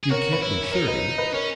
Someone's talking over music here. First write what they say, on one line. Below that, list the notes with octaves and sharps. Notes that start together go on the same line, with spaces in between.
You can't be thirty?'
G#4
F#4 A#4 C#5
B4
E4 A#4 C#5
C#4
D#4 A#4 C#5
B4 D#5
B4 D#5
C#4 A#4 C#5